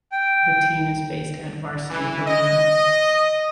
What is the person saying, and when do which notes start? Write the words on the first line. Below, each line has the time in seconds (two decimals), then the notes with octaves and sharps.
The team is based at Varsity Arena.
0.12 G5
1.89 E3
2.26 D#5